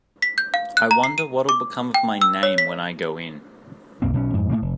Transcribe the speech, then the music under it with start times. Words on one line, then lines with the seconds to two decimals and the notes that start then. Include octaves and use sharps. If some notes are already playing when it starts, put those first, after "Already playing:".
I wonder what’ll become of my name when I go in?
0.22 B6
0.38 G6
0.54 F5
0.77 F#6
0.91 A#5
1.04 C7
1.18 D#7
1.49 D6
1.94 G5
2.22 E6
2.43 C#5
2.58 B6
4.02 B1 F#2 A#3 C4
4.13 B1 B2 F3 C#4
4.33 F2 G#2
4.49 A2 C#3 A3 A#3
4.62 F1